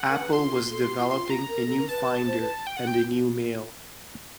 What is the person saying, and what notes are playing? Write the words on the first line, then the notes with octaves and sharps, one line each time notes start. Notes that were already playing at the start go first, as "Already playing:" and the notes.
Apple was developing a new Finder and a new Mail.
Already playing: F#5
A#4
B4
F4 C6
A4
G4
F4
F4 C6
A#5
A#4
A4
A#4
B4 A5
C5
B4
G5
F#5
G5